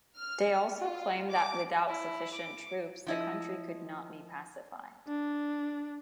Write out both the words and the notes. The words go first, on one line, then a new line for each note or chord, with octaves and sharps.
They also claim that without sufficient troops the country could not be pacified.
F6
F4
D6
E4
D6
F3 E4 D#5
D4